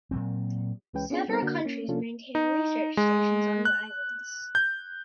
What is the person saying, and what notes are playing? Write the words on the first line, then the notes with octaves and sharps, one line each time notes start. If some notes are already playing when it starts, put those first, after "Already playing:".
Several countries maintain research stations on the islands.
A#2 F#3 C4
C#2 E3 G#3 C#4 B4 G5
B3 C#4 D4 F4 G#4
G3 B3 C4 D#4 A4 C5
D3 A#3 D4 F#4 A#4
A#3 C#4
C3 F3 C#4 D4 F4 A4
D#4
G#3
F#6
G6